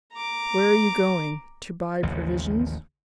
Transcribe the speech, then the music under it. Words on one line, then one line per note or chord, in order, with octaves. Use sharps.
"Where are you going--to buy provisions?"
A#5 D6
A1 D#2 C#3 F3